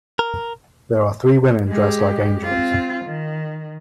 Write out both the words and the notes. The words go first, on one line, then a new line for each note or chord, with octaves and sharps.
There are three women dressed like angels.
A#4
G#3 G4
C4 F4
D#3